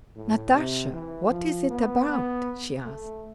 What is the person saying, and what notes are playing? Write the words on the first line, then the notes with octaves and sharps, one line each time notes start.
"Natasha, what is it about?" she asked.
A2
C3
E3
F3
B3
B3
A3